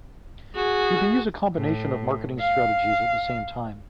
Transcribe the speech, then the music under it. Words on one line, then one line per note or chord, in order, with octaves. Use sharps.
You can use a combination of marketing strategies at the same time.
F#4 G#4
A2
F5